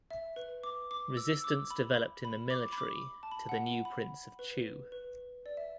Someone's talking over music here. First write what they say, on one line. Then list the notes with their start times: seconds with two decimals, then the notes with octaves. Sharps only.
Resistance developed in the military to the new prince of Chu.
0.11 E5
0.36 B4
0.63 D6
0.91 D6
1.17 E6
1.33 E6
1.44 D6
1.70 B5
2.25 B5
2.50 D6
2.72 B5
2.78 D6
3.23 A5
3.31 B5
3.49 F#5
3.67 F#5
3.85 B5
4.39 B4
4.92 B4
5.46 D5
5.57 E5